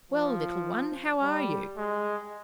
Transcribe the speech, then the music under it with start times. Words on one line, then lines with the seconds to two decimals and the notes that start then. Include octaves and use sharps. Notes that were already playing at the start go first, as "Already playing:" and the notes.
'Well, little one, how are you?
0.12 F3
1.22 G3
1.77 G#3